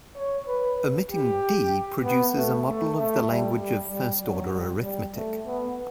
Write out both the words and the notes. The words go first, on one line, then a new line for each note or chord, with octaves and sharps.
Omitting "D" produces a model of the language of first order arithmetic.
C#5
B4
G4
B3
A3
A3
A3
G3
G3
G3
F#3
G3
G3
A3
B3